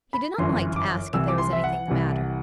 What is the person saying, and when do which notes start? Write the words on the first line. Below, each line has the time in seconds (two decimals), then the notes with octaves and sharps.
He did not like to ask if there was anything the matter.
0.13 B5
0.38 G1 F#2 E3 C6
0.76 D6
1.13 C2 C3 E3 E6
1.28 D6
1.38 C6
1.53 E5
1.64 F#5
1.88 C2 C3 E3